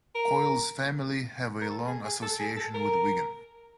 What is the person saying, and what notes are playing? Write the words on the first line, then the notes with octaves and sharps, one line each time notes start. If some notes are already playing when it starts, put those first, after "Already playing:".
Coyle's family have a long association with Wigan.
A#4
A#4
A4
G#4
G#4
A4
G#4
A4
A#4